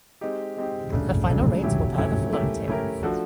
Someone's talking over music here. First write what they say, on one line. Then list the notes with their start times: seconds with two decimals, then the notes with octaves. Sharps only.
The final rates were per the following table.
0.21 G#3 C4 D#4 G4
0.57 G#3 C4 D#4 G4
0.92 C#3 F#3 A3 D4
1.27 C#3 F#3 A3 D4
1.62 F#3 A3 C#4 E4 G4
1.97 F#3 A3 C#4 E4 G4
2.33 A3 C#4 E4 G4 A#4
2.68 A3 C#4 E4 G4 A#4
3.03 F3 A3 D4 F#4 A4